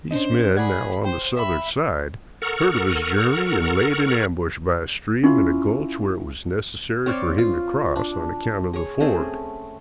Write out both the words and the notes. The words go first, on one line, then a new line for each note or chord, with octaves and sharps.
These men--now on the Southern side--heard of his journey and laid in ambush by a stream in a gulch where it was necessary for him to cross on account of the ford.
C#4 D4 C5 D#5
G#4 D5 F#5 B5 G#6
C5 G5
E5 B5
A4 A#4 F#5 A#5 C#6 F6
C#4 E4 F4
C4 C#5 D5 F5
F4
D4
G#4 C#5
A3 C4 C#4 G#4